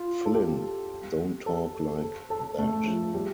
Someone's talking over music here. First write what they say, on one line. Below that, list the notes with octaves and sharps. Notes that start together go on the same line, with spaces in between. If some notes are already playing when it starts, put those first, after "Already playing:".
Flynn, don't talk like that.
Already playing: F4
A4
G4
A4
A4
A4
A3
F3
G3